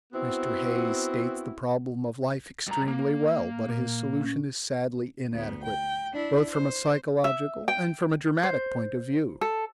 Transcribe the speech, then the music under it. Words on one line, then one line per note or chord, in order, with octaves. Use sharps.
Mr. Hayes states the problem of life extremely well, but his solution is sadly inadequate both from a psychological and from a dramatic point of view.
B3 C4 E4 F#4
G2 A#5
A#3
A#2
C#4
D2 B3
G5
D4 E4
C5
E5
G5
C5
A4